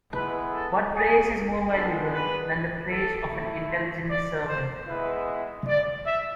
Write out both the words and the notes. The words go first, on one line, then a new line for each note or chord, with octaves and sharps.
What praise is more valuable than the praise of an intelligent servant?
G#3 B3 E4 B4
A4
G#4
G#3 B3 D4 A4
B4
A4
A3 E4
C5
D5
C5
G#3 B3 E4 B4
D5
E5